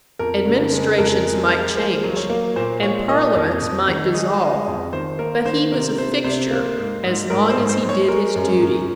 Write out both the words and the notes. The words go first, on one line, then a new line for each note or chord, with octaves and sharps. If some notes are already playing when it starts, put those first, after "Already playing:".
Administrations might change, and Parliaments might dissolve; but he was a fixture as long as he did his duty.
F2 A#4
C#3
G#3
F2 A#4
G#3
G#3
A#3 C5
F#3
C#5
A#3
A#2 C5
A#2 C#5
A#3 D#5
F2
F2
D#3
G#3 D#5
G#3
F2
D#3 C5
A#3 A#4
D#3 C5
C3 A#4
C3 C5
C3 C5
A#3
G#2
G#2
G#2 A#4
C5
G#2
C5
G#2
C#5
G#3 A#4
F#2
F#2